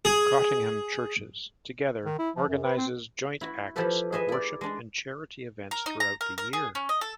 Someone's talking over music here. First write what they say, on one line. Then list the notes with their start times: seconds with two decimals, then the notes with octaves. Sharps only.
Cottingham Churches Together organises joint acts of worship and charity events throughout the year.
0.05 G#4
2.05 D#3
2.19 E4
2.36 F3
2.49 F#2
2.64 B4
2.77 C4
3.41 E4 F#4
3.76 F3 E4 G4 A4 B4
4.12 G#4 B4 D#5 E5 G#5
4.28 E4 D5
4.61 G#3 D4
5.71 A#4
5.86 D#4
6.00 A#5
6.21 A#4
6.38 A#4
6.53 G#4
6.75 C#4
6.89 D#5
7.01 A4